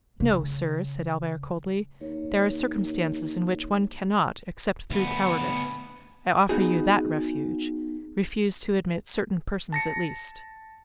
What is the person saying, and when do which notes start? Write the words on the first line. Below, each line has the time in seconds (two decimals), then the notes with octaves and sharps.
"No, sir," said Albert, coldly; "there are circumstances in which one cannot, except through cowardice,--I offer you that refuge,--refuse to admit certain persons at least."
0.20 C#3
2.01 D#2 C#5
4.90 D2 B3
6.49 B3 D#4 F#4 G#4
9.72 A5 A#6 C#7